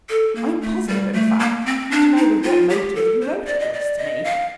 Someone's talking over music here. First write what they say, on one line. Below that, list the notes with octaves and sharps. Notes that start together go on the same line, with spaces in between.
I am puzzled, in fact, to know with what motive you wrote all this to me.
A4
A#3
A3
G3
A3
A#3
C4
D4
D#4
F4
G4
A4
C5
D5
D#5
D5
D#5
F5